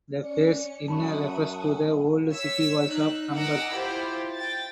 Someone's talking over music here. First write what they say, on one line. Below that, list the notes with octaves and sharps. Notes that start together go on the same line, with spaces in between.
The phrase "inner" refers to the old city walls of Hamburg.
C#4 D5 C#7
F#2 E5 F#5 A5 B5 C#6 D#6
C#5 E6 B6
D#4 F#6
A#4 D#5 F#5 D6 E6
E4 F4 G4 C5
G5 A6